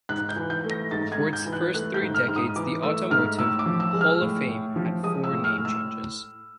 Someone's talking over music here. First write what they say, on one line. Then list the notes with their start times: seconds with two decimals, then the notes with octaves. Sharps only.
For its first three decades, The Automotive Hall of Fame had four name changes.
0.09 G#2 F#6
0.29 G6
0.36 E3
0.50 G6
0.64 A3
0.71 A#6
0.91 G#2 A6
1.12 G#6
1.19 G#2
1.33 G6
1.46 E3
1.53 F#6
1.73 A3 F#6
1.94 G6
2.02 G#2
2.14 F6
2.28 G#2
2.36 D#6
2.56 E3 D6
2.83 A3 E6
3.10 G#2 F6
3.39 A2 E6
3.59 D6
3.66 F3
3.80 E6
3.93 G#3
4.01 F6
4.21 A2
4.49 A2
4.76 F3
5.03 G#3 D#6
5.24 E6
5.31 A2
5.44 F6
5.58 A2
5.65 E6